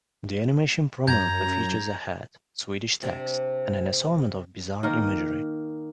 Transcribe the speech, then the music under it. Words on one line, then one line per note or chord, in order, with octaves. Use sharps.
The animation prominently features a hat, Swedish text, and an assortment of bizarre imagery.
F#2 A#5 G6 G#6
C3 D4
D#3 A#3 A#4